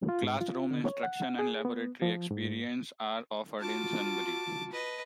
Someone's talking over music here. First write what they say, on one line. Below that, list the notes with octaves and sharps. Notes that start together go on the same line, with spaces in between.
Classroom instruction and laboratory experience are offered in Sunbury.
F4
G#2
F4
D3
C#5
F#5
G#4
B3
F3
G#2
F4 F#4 A5 D6
B4 D#5